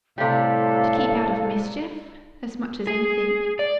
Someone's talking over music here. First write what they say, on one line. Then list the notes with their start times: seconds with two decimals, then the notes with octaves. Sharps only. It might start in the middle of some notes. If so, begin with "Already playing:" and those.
'To keep out of mischief, as much as anything.'
0.18 A2 C3 G3 A4 F5
2.87 G#4
3.59 D5